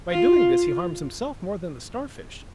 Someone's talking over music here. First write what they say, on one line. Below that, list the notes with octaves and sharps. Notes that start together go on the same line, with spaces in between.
By doing this he harms himself more than the Starfish!
F4